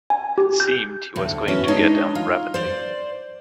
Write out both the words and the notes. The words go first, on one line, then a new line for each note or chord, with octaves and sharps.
It seemed he was going to get on rapidly.
G#5
G4
G6
D2 A2
B3 C#4 E4 F#4
G#3 D4 D#4 C#5 D#5
F4
C5 D5